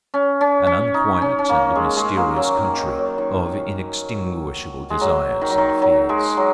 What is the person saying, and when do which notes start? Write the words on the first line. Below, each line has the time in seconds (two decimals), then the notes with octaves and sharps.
An unquiet and mysterious country of inextinguishable desires and fears.
0.14 C#4
0.41 C#4
0.67 C#4
0.94 D#4
1.22 C#4
1.39 C#4
1.49 A#3
1.75 G#3
1.97 G#3
2.17 A#3
2.37 F#3
2.57 D#3
2.78 D#3
2.98 F#3
3.18 D#3
4.90 G#3
5.01 F#3
5.41 D#3
5.50 F#3
5.58 D#3
5.82 F#3
6.09 G#3
6.37 F#3